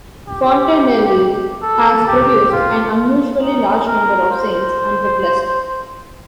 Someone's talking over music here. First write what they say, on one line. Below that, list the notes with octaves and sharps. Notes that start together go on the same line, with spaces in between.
Fontenelle has produced an unusually large number of saints and the blessed.
G4
A4
G4
F4
D#4
A#4
C5